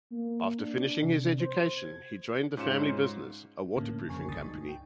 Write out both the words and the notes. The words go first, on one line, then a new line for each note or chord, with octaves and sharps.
After finishing his education, he joined the family business, a waterproofing company.
A#3
D4
C3
C5
G#6
G#2 C#4 F4 C#7 E7
A2 D3 A#3 C#4
F2 C#3 A#4 G#5 C#6 C7
C#2 G2 D3 C#6 D#6 A6
D#4
G5